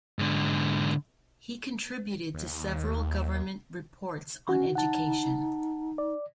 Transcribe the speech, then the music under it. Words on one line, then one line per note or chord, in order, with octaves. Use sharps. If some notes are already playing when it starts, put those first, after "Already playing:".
He contributed to several government reports on education.
G#2 D3
D#2
C#4 F#4
D#4 F#5 A5
D5